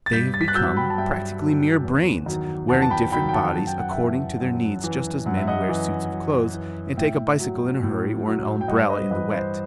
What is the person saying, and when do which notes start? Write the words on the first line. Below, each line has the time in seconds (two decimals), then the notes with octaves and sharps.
They have become practically mere brains, wearing different bodies according to their needs just as men wear suits of clothes and take a bicycle in a hurry or an umbrella in the wet.
0.06 A6
0.13 G2 G6 B6
0.34 A6
0.41 B6
0.48 F#6 A6
0.55 F#3 E6 G6
0.77 G5 B5
0.90 A5
0.98 G2 E5 G5
1.40 F#3
1.84 E2
2.26 D#3 F#3
2.69 E2 F#5 A5
2.82 A5
2.90 G5 B5
3.12 D#3 F#3 G5 B5
3.29 G5
3.33 F#5 A5
3.55 F#2 A5
3.67 G5
3.79 F#5
3.91 E5 G5
3.97 E3
4.40 F#2
4.84 E3
5.26 F#2 F#5
5.37 E5
5.47 D#5 F#5
5.69 E3
6.12 F#2
6.54 E3
6.97 A2 E5 G5
7.40 F#3
7.83 A2
8.25 F#3
8.61 G5
8.68 G2 D#5 F#5
8.80 C5
8.90 B4 D#5
9.11 E3 B4 D#5
9.33 C5